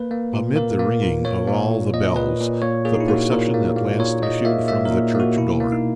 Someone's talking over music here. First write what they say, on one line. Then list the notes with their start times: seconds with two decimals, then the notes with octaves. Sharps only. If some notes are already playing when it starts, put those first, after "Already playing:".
Amid the ringing of all the bells, the procession at last issued from the church-door.
Already playing: A#3 B4
0.11 A#3
0.33 A#2
0.56 A#3 A#4
0.79 A#3
1.02 A#2
1.25 A#3 C#5
1.48 A#3
1.71 A#2
1.94 A#2 D#5
2.16 A#2 B4
2.40 A#2
2.62 A#3 C#5
2.85 A#3 G#4
2.94 D#4
3.00 E4
3.08 A#3 F#4
3.31 A#2 A#4
3.54 A#3
3.76 A#3
3.99 A#2 C#5
4.22 A#3 D#5
4.45 A#3 E5
4.68 A#3 E5
4.85 A#4
4.91 A#2
5.15 A#3
5.20 F#4
5.37 B2 E4
5.60 A#3
5.72 D#4